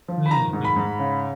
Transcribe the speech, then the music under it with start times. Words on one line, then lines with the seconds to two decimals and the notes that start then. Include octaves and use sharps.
Mm, mhm.
0.08 F3
0.26 B5
0.30 D#3 A#5
0.53 G#2
0.65 B5
0.76 G#2
0.99 C#3